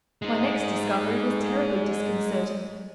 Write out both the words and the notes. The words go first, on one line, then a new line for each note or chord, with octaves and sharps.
My next discovery was terribly disconcerting.
G#3 D#4